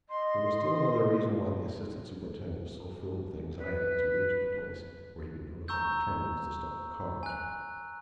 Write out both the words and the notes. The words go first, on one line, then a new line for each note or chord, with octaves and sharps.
There was still another reason why the assistant superintendent was so filled with anxiety to reach a place where he could notify the terminals to stop the cars.
D#5 C6
B4
A#5 C#6 E6 G6
G#5 F#6